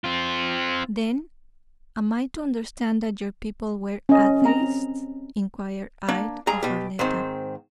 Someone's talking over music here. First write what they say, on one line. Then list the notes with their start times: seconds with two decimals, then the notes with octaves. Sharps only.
"Then am I to understand that your people were Atheists?" inquired I of Arletta.
0.04 C4 F4
4.09 C#4 D#5
4.42 C4 A#5
6.08 A#3 D4
6.47 G2 G#4 A#5
6.63 B2 G4
6.99 G#2 D#3 C4